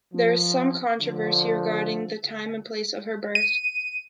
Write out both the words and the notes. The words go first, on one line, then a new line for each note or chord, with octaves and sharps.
There is some controversy regarding the time and place of her birth.
F3
D3 F3
D#7